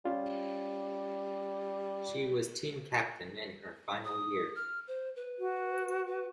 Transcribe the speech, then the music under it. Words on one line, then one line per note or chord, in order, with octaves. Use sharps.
She was Team Captain in her final year.
G3 C#4 F4
D#6
F6
C5
B4
F#4
B4